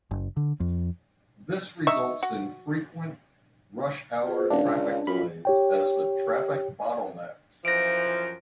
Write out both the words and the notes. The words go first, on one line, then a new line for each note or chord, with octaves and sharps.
This results in frequent rush hour traffic delays as the traffic bottle necks.
F#1
D3
F2
D#4 E5 C#6
F#4
F4 G#4 C5
D#1 D4 F5
C#2
F#2 F4 B5
G4 C#5 G5
F#2 E3 F3 A#6 D7